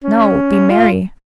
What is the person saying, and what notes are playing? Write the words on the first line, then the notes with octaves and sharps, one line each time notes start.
No, be merry.
C#4
F4